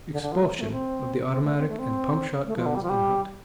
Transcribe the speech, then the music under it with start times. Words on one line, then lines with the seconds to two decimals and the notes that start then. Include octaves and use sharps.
Expulsion of the automatic and pump shotguns, in hunting.
0.12 D3
0.22 D3
0.32 F3
0.41 A3
0.58 C4
0.61 A3
0.72 C4
1.29 C4
1.44 A3
1.58 C4
1.69 A3
1.79 C4
2.47 A3
2.57 F3
2.66 D3
2.75 G3
2.83 F3
2.89 G3